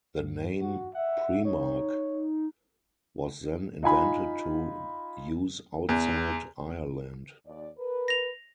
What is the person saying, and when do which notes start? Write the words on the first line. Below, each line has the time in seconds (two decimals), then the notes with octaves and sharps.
The name "Primark" was then invented to use outside Ireland.
0.19 G2
0.60 F#4
0.95 E5 F#5
1.45 D#4 C#5
3.83 D#4 F4 G#5 B5
5.89 E2
7.45 D#2 D5
7.77 A#4 B4
8.08 A#6 F7